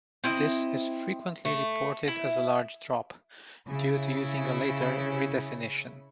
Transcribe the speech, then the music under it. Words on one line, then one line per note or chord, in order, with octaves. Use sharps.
This is frequently reported as a large drop, due to using a later redefinition.
C4 E4 D#5
A3
E4
C#3 E4